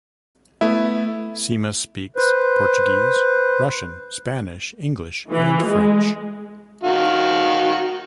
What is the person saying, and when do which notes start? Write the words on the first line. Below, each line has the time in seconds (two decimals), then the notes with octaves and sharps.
Simas speaks Portuguese, Russian, Spanish, English and French.
0.61 A3 B3 E4 E5
2.16 B4 C5
5.31 E3
5.66 G#3
6.84 D#3 F#4 F5